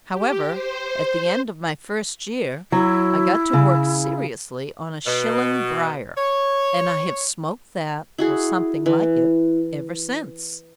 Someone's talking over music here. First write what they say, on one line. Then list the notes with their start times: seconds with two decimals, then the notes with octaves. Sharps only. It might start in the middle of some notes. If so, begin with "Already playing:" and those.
However, at the end of my first year I got to work seriously on a shilling briar, and I have smoked that, or something like it, ever since.
0.12 G4
0.48 C5
2.72 F#3 E4
3.53 C#3
5.06 B2
6.17 C#5
8.18 E4 F#4 G#4
8.86 E3